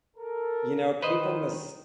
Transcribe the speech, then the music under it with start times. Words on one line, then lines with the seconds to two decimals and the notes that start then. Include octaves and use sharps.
You know, people mis
0.16 A4 A#4
1.02 D#3 B4 C5 D#5